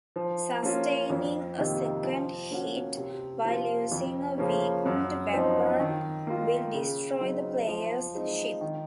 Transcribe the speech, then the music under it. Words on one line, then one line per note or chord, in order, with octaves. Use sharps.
Sustaining a second hit while using a weakened weapon will destroy the player's ship.
F3
A#3 C#4 F4
F2
C3 D#3 A#3 D#4
F3
A#3 C#4 F#4
C3
F3 A#3 F4
F2
C#3 F3 A#3 C#4
F#2
F3 C4 D#4
D#3
A#3 F4
C#3
F#3 C4 D#4
F3
G#3 C4 D#4
D#3